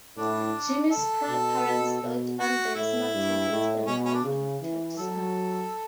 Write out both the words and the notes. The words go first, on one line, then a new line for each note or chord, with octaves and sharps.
Jimmy's proud parents dote on their smartly dressed and well-connected son.
A2 D4
A4
B2
B2
B2
F#4
A2 E4
G2
A2
B2 C#4
C#4
D4
C#3
E3
F#3 A4